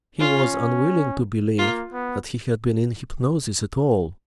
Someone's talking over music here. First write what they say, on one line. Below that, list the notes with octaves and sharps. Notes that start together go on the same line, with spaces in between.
He was unwilling to believe that he had been in hypnosis at all.
C#4 F4
A#3 F4
B3